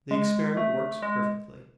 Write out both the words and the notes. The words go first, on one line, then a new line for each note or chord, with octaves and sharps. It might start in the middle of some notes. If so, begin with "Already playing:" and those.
The experiment works perfectly.
G#3
A3
G#3